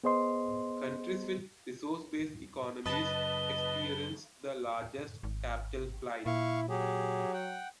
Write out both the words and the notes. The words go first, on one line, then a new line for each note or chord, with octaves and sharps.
Countries with resource-based economies experience the largest capital flight.
B3 G#4 C5 D#5 C6
F#2 C#3 B4 D#5 A5 G7
G#1
A#2 E4 F5 C#6
F#3 G4 G#4
F#5 G5